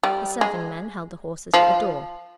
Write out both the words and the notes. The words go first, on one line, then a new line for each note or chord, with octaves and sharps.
The serving-men held the horses at the door.
G3
G#3
F3